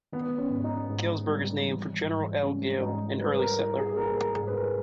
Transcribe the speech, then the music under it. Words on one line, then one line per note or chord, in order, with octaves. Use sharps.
Galesburg is named for General L. Gale, an early settler.
D#3 B3
C#4
G#2
D#4
G#2
G3
E3
G#2
G#3 C#4
G#2 D#4
G3 B4
A#4
E4 A#4
G#4
A#3 A#4
A#4
G#2 G#4
B4
A#4